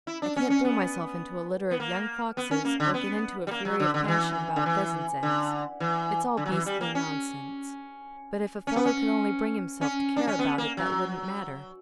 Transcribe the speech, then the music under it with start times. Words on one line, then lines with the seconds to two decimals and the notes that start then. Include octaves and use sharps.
I can't throw myself into a litter of young foxes, or get into a fury of passion about pheasants' eggs. It's all beastly nonsense, but if a fellow could only bring himself to care about it that wouldn't matter.
0.07 E4
0.22 D4
0.36 C#4
0.50 C#4
0.65 B3
1.71 B3
1.80 A#3
2.37 B3
2.51 C#4
2.65 A#3
2.80 D3
2.94 B3
3.47 G3
3.51 A#3
3.65 F#3
3.80 D3
3.94 D3
4.04 D3
4.08 E3
4.56 D3
4.66 E3
5.23 D3
5.80 E3
6.37 D3
6.46 F#3
6.52 E3
6.66 G3
6.81 A#3
6.95 C#4
8.67 C#4
8.76 B3
8.86 C#4
9.81 C#4
10.17 D4
10.27 C#4
10.39 B3
10.58 A#3
10.77 F#3